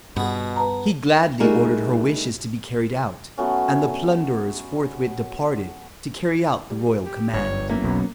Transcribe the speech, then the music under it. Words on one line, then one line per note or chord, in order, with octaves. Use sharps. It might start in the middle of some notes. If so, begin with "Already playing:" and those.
He gladly ordered her wishes to be carried out, and the plunderers forthwith departed to carry out the royal command.
G2 B2 B3 G#4
B4 A5 A#5
G3 A3 D#4 F#4 G#4 A#4
F#3 A3 B3 C#4
G3
G4
G1 G2 C#5
F#3 A#3 B3 C#4 E4
E1 B1